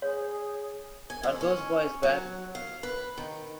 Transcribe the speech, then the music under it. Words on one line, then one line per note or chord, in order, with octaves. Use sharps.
Are those boys bad?
G#4 C#5
G#5
F2
C#4
F#3
F5
B4
D#3